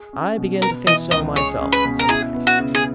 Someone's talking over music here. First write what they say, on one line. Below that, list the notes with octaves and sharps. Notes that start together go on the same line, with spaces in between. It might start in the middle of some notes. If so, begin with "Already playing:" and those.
"I begin to think so myself," said Patty.
Already playing: G#4
C#4
B2
B3 A#4
E3 D#5
C#2 D#5
G#4 C#5
C#4
B4
B2
A#4
E4 G#4
B3
F#4
C#3
G#4